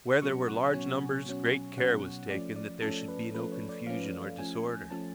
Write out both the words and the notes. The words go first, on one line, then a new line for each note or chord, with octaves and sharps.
Where there were large numbers great care was taken that there should be no confusion or disorder.
B2 F#3 C#4 C#6
F#5
B2 F#3 C#4 G#5
B2 F#3 C#4
B2 F#3 C#4 F#5
F3 A3 C#4 D5
D5
F3 A3 C#4 A4
B4
F3 A3 C#4 B4
C#5
D5
F3 A3 C#4 F5
F3 A3 C#4 G#5
F3 A3 C#4 A5